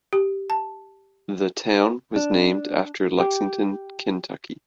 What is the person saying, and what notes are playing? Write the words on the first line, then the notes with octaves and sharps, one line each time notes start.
The town was named after Lexington, Kentucky.
G4
A5
D4
G4